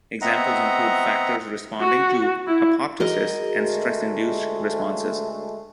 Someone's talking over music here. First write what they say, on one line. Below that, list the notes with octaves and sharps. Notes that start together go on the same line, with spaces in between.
Examples include factors responding to apoptosis and stress-induced responses.
B3 C4 D#5 E5 F#5 A#5
F#4
E4
F#4 G#4 A#4 D#5
D2 G#3 A3